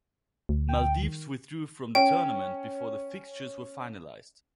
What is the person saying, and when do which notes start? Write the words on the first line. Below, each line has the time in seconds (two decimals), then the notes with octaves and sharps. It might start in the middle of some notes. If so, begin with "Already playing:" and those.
Maldives withdrew from the tournament before the fixtures were finalised.
0.49 D2
0.69 G5
1.02 D#3
1.95 C#4 G5